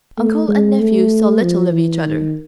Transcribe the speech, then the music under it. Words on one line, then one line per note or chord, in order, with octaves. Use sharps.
Uncle and nephew saw little of each other.
A3
G#3
A3
F3
E3
D#3